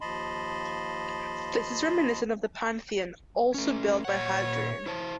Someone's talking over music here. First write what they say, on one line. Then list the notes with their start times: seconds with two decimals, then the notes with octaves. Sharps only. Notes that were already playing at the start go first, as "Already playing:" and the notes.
This is reminiscent of the Pantheon, also built by Hadrian.
0.01 D#2 F3 D#5 A5 B5 C6
3.54 A3 C#4
4.05 A#2 C#5 F#5
4.86 E4 C5 A5